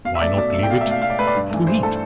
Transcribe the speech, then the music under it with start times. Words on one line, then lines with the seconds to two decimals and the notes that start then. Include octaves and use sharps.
"Why not leave it to Heat?"
0.05 B2 F5
0.15 E5
0.21 A3 D5
0.37 B2 D5
0.54 A3
0.63 G5
0.70 B2 F5
0.81 E5
0.86 A3 F5
1.02 B2 F5
1.10 D5
1.18 A3 B4
1.27 D5
1.35 G2
1.50 E3 A3
1.66 G2 C5
1.83 E3 A3 A4